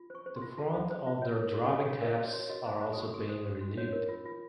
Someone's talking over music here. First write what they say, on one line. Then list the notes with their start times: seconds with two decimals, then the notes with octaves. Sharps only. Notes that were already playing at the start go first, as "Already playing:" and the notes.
The front of the driving cabs are also being renewed.
Already playing: F4
0.10 C5 C#6
0.26 C5
0.36 C6
0.42 F4
0.57 F4 A5
0.74 C5
0.90 C5
1.06 F4
1.22 C#5
1.38 A#4
1.54 F#4
1.70 F#4
1.85 C#5 F5
2.02 A#4 D#5
2.18 F#4
2.28 C#5
2.33 F#4
2.50 F#4 D#5
2.66 C5
2.81 C5 C#6
2.92 D#6
2.98 F#4 C#6
3.14 F#4 D#6
3.29 C5
3.45 C5
3.61 F#4
3.78 C#5
3.93 A#4
4.09 F4
4.26 F4